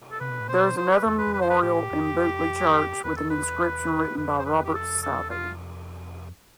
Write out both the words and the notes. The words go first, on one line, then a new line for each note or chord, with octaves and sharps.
There is another memorial in Butleigh Church with an inscription written by Robert Southey.
A4
C3 B4
B2
A2
B2 C5
C5
B4
E2 A4
B4
E2
F2 B4
C5
B4
A2 G4
F2
E2 B4
A4
B4
F2 B4
C5
B4
G4
A4
A4
E2
F2 F4